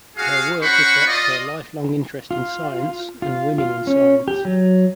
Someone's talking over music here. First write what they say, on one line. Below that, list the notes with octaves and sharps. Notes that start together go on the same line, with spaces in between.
Her work reflects her lifelong interest in science, and women in science.
F#4 G#4 F5
C#4 F#4 C5 F#5 B5 C#6
F4 D5 D#5
F4
F4
F4
C#4
G4
F#3